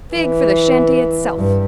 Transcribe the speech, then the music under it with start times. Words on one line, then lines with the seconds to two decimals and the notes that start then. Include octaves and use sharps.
A fig for the shanty itself!
0.13 E3
1.37 G2